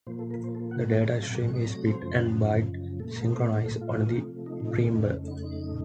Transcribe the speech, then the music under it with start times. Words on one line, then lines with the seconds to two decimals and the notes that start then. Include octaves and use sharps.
The data stream is bit and byte synchronized on the preamble.
0.07 A#2 F3 A#3 C5
0.19 A4
0.30 A#4
0.44 C5
0.55 A4
0.71 F#5
0.88 F#5
1.05 C3 F#3 A3 A5
1.22 F5
1.28 F#5
1.53 D#5
1.70 C#5
1.86 C5
2.02 F#2 C#3 F3
2.99 A#2 A3 A4
3.16 A#4
3.32 C5
3.65 A4
3.81 F4
3.98 C3 F3 A3
4.46 D#4
4.60 D#4
4.71 F4
4.95 F2 C#3 A3 D#4
5.12 C#4
5.28 D#4
5.44 D#4